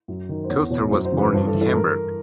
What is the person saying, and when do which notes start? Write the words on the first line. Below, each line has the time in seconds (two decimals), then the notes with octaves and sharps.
Koester was born in Hamburg.
0.08 F#2
0.29 D#3
0.44 C5
0.49 E2 C#5
0.70 B2 C#5
0.91 F#2 C5
1.05 C5
1.12 C#3 E3
1.19 B4
1.33 G2 C5
1.47 A4
1.54 E3
1.61 A4
1.75 A#4